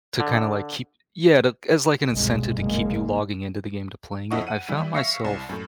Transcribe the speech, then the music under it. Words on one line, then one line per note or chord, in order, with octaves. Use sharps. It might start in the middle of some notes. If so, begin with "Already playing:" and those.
to, kinda, like, keep yeah, to as, like, an incentive to keep you logging into the game to playing it. I've found myself,
D3
G1 C2 G2 B2 G#3
F#1 G#3 A#3
F2 E4 D#5 F#5 C#6
F#5 D#7
E3 G3 E4
E5 F5 C#6 A#6 C7 C#7
C2
F#2 A2